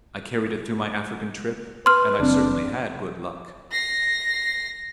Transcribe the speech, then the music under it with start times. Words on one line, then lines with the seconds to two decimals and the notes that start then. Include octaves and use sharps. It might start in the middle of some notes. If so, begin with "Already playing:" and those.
I carried it through my African trip; and I certainly had good luck.
1.86 B4 C6 F6
2.19 F#1 C4 D4
3.71 A#6 C7